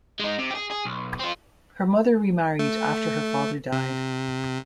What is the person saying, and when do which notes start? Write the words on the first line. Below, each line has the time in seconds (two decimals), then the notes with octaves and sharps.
Her mother remarried after her father died.
0.20 G#3 D#4
0.39 C3
0.51 G4 G#4
0.71 G#4
0.85 B1
1.19 C4 F4
2.59 A3
3.73 C3